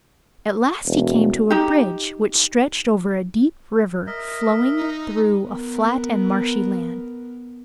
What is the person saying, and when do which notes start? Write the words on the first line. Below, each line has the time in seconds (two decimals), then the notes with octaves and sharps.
At last he came to a bridge which stretched over a deep river flowing through a flat and marshy land.
0.86 E1
1.50 D#4 G4
4.07 A#4 D#5 E5
4.77 D#4
5.43 B3 A#4